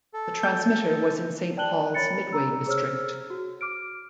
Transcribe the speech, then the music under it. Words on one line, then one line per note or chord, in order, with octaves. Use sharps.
The transmitter was in Saint Paul's Midway district.
A4
G6
D5 G5 A5 F#6 F#7 G7
C#5 B5 A6 C#7
A#5 E6
G#4 C5 C#5 E6 F6
F#4
D6 F6 D7